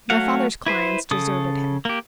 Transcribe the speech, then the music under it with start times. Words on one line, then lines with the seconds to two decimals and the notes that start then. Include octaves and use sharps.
My father's clients deserted him.
0.10 F#3 A3 F#4 F5 F#5
0.66 E4 B4 C5
1.11 C#3 A4 D#6
1.85 A#3 G4